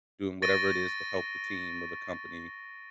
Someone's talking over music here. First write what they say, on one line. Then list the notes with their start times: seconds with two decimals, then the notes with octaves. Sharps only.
doing whatever it is to help the team, or the company,
0.42 C#6 A6 A#6 D7 D#7 G7